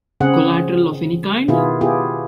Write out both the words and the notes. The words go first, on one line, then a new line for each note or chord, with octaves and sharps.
Collateral of any kind?
C#3 C4 G#4 F#5
B2 D#3 B3 E4 F4 G#4
B3 E4 F4 G4 G#4